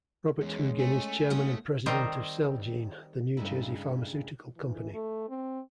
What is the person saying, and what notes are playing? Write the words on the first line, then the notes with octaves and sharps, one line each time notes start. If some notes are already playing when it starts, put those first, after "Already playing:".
Robert Hugin is Chairman and President of Celgene, the New Jersey pharmaceutical company.
E2 G#3 C#4
A3 G#5
G#3 C#4 F#4
D#3 G3 C4 D#4 D#5 A#5
G2 C#3 G#3 A3 D#4 E4
E3
A3
C4